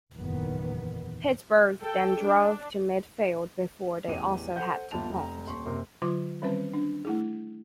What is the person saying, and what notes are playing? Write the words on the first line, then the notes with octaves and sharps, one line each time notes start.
Pittsburgh then drove to midfield before they also had to punt.
F#1 E2 A#2 D#3 B3
A4 G5
D4
A1 E2 D#7
A4 C5 F#5 G6
G1 D#2 F3 A5 F7
F1 A#5
D#1 C6 C#6
F#1 C3 A#4 C6
D3 F#3 F4 D6
D#3 G3 C4 C#4 B4
D4
A3 E4 G#4